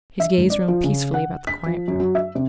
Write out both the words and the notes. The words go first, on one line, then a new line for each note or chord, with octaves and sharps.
His gaze roamed peacefully about the quiet room.
E5
G#1
D5
F3
C#3
F#5
B6
F3
F#2
F#3
E5
C3